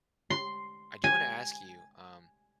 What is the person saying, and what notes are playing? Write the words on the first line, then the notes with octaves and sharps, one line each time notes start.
I do wanna ask you, um,
C6
G#5